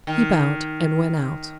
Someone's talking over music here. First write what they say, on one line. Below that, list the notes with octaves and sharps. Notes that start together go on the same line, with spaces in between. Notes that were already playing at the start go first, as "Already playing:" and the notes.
He bowed and went out.
D#3